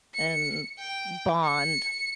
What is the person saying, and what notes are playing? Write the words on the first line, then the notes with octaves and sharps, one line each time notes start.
and bond.
C#7
G5
C#7